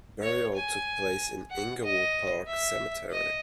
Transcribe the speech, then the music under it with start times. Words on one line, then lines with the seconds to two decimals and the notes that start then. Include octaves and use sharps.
Burial took place in Inglewood Park Cemetery.
0.23 C#5
0.55 G#5
1.51 F#5
1.84 D#5
2.48 E5
3.12 D#5